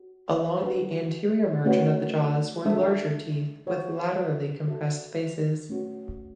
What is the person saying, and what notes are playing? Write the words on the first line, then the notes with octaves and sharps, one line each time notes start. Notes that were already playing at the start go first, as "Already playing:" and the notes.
Along the anterior margin of the jaws were larger teeth with laterally compressed bases.
Already playing: F#4
D4 F#4 B4
A3 C#4 F#4 B4 F#5
G#3 D4 A4 E5
F#4 C#5 F#5
F#4 A4 E5
A3 C#4 F#4